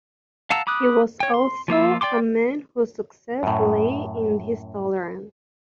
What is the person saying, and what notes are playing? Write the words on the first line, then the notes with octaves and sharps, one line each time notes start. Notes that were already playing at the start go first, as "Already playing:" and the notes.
He was also a man whose success lay in his tolerance.
F5 F#5 A5 A#5 E6
B5 D6 D#6 F#6
C#5 G5
C6
F3 A#3 F4 E6
D5 G5 C6 D6
F#2 A2